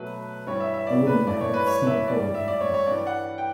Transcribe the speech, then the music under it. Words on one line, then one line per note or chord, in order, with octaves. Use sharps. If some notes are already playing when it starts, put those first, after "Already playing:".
A woman holds small boy on a couch.
Already playing: B2 F#3 A3 B4
G2 E3 G3 C#5
E5
E5
D5
B4
G2 E3 A3 D5
C#5
B4
C#5
E5
A2 G3 D5
D5
E5
D5
C#5
C#5
G2 E3 G3 D5
F#5
G5